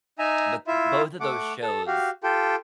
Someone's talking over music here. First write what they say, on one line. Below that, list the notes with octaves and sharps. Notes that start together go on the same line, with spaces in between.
but, both of those shows,
D#4 E5 G#5 A#5
E4 F4 E5
A3 F#5 D6
A4
F#4 G4 F5
F4 G4 A4 G5